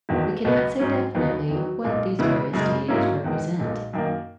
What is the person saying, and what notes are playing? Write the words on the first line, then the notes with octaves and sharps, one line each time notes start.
We cannot say definitely what these various deities represent.
E1 E2 D#3 F#3
C#2 B2 F#3 B3
G#2 F#3 C#4
D#2 D#3 F#3 B3 D#4
E2 D#3 F#3
B1 A#2 G#3
E2 C#3 G#3 B3 E4
F#2 C#3 G#3
G#2 F#3 A#3 C#4 E4
E2 D#3 G#3
B1 A#2 G#3
F#2 D#3 A#3